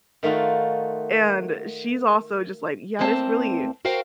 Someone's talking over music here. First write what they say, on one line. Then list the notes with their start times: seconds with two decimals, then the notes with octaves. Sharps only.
and she's also just like, "Yeah, it is really
0.23 D#3 A3 D#4 F4 F#4
2.99 E2 A3 A#3 C4 F5 A5
3.85 F#4 A#4 C5 F5 G5